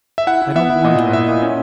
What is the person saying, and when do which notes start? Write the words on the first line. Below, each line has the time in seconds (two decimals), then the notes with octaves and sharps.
I don't wonder at it.
0.18 E5
0.27 E4 F#5
0.42 E4
0.55 B3 E5
0.70 E4
0.84 A#2 D#5
0.99 E4
1.13 E4 E5
1.28 A#2
1.42 C#4